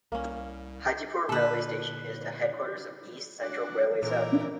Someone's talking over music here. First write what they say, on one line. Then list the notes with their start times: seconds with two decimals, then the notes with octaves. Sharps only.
Hajipur railway station is the headquarters of East Central Railway Zone.
0.12 C2 A#3 C#4
1.29 A#2 D3 A#3 A4 B4
3.43 D4 F#4
4.02 A#2 E3 A#4 D5